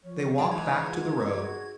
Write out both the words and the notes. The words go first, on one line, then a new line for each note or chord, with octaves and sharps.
They walked back to the road.
F3 C#5
F#2 F#4 G#4 G5 G#5
G#2 E3 G#6
F4
F#4